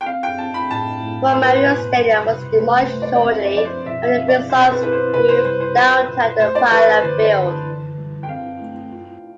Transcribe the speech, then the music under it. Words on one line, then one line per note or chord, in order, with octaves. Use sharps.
War Memorial Stadium was demolished shortly after the Bisons moved downtown to Pilot Field.
G5
C4 F5
G5
C4 A5
B5
A2 A5
A2
B3 C5
B4
C5
B2
G3
C3
A3 B4
C5
A3
D5
D5
C4 E5
D5
F3 D5
C5
B2 E5
E5
F5
C4
D5
B2 C5
B4
E4 B4
C5
C3 B4
C5
G3 C5
C5
F4 C5
B2
A3 C5
D5
E3 B4
C5
D3 C5
C5
D5
D3
A5
E3
G3
G5
C4 F5
A3
F4